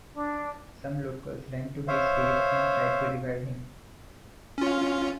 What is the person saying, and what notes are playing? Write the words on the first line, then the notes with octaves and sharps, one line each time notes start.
Some locals ran to his aid and tried to revive him.
D4
C5 C#5 E5 F5
C#4 F4